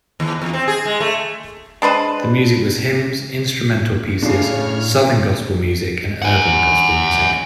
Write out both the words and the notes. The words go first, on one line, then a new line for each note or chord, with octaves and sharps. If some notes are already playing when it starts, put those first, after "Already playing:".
The music was hymns, instrumental pieces, southern gospel music, and urban gospel music.
D#2
E2
C4
G#4
G#3
A3
G#3 D4 B4 C5
A2 C#3 D4 C#5 F6 C7
F#5 G#5